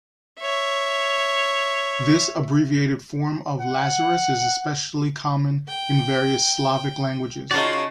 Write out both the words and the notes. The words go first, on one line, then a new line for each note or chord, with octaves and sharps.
This abbreviated form of Lazarus is especially common in various Slavic languages.
C#5 E5
F#5
G5
C#3 D#4 F4 F#4 D5 A5